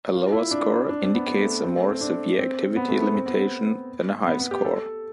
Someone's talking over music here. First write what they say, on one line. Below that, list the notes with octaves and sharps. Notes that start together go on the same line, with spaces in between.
A lower score indicates a more severe activity limitation than a higher score.
F4
E4
D4
D4
C4
B3
B3
A3
C4
A3
C4
D4
C4
B3
A3
B3
C4
B3
B3
B3
B3
G4
A4